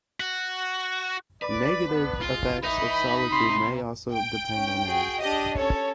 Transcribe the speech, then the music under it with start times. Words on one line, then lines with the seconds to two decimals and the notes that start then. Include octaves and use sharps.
Negative effects of solitude may also depend on age.
0.20 F#4
1.42 B4 D5
1.88 B3 D4
2.22 G#3 F4
2.63 D#4 B4 E5 B5
3.32 C3 C6
4.12 G5
4.54 C#4
4.86 F#4 G#4
5.21 D4 G4 D#5
5.56 C#4 A4 C#5